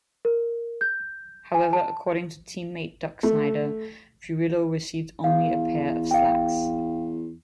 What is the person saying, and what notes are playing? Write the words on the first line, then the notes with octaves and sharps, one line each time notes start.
However, according to teammate Duke Snider, Furillo received only a pair of slacks.
A#4
G6
G#5
A5
A3
E2 F5
F5 G5